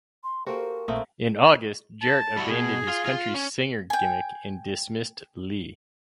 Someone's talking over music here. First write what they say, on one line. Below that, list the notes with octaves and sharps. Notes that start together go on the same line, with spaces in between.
In August, Jarrett abandoned his country singer gimmick and dismissed Lee.
C6
A#3 F#4 G4 A4 A#4 C5
A#1 A#2 A3 A#3 C4 D#6
A5
G3 E4 F#4
B2 G#4
F4 F5
F4
C#4
G5 G#5